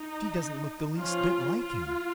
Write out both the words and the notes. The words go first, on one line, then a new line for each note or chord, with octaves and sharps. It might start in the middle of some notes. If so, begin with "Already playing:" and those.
"She doesn't look the least bit like him."
Already playing: D#4
F3 C#4 F4
F4